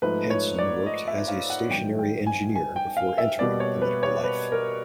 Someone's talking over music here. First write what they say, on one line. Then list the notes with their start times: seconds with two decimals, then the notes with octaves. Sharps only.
Hansen worked as a stationary engineer before entering political life.
0.02 G#2 F3 A3 B4
0.30 C#5
0.59 D5
0.86 D#5
1.08 E5
1.28 F5
1.50 F#5
1.70 G2 D#3 F#3 G5
1.99 G5
2.27 G#5
2.55 G#5
2.76 G5
2.97 F5
3.18 E5
3.39 B2 G3 A#3 D5
3.60 C#5
3.82 B4
4.03 C#5
4.24 B4
4.52 A#4